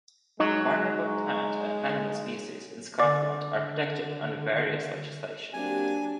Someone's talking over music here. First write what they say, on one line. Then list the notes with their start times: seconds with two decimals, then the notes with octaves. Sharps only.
Vulnerable plant and animal species in Scotland are protected under various legislation.
0.40 F#3 G#3 D#4
3.00 D3 D5
5.54 F#3 A#3 C4 D4 G4 G#5